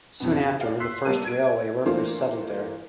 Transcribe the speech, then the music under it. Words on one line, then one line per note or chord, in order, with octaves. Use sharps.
Soon after, the first railway workers settled there.
F2 B2 B3
D5 F5
C6 E6 F#6 B6 C7
G3 A#3 B3 A#4 A5 D#7
G#6 D7
E3 A3 A#3 D4 F4 C5